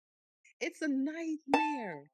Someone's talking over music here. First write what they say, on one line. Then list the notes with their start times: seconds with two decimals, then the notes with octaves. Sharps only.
It's a nightmare.
1.54 A5